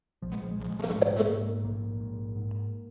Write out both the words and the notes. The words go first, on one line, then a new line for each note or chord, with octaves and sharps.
Since the Middle Ages, many values have been specified in several countries.
A#1 F3
G#3
F3
G#3
A#1 F3
G#3
F3
G#2 G#3
G#3
G#2 A#3
A#1 A#3
G#2
G#2